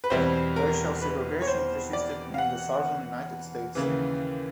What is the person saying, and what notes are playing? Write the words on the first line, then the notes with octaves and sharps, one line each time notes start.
Racial segregation persisted in the Southern United States.
B4
E2 B2 G3 C4 E4 C5
A#4
B4
C#5
C5
D5
F5
F#5
D#2 C#3 E3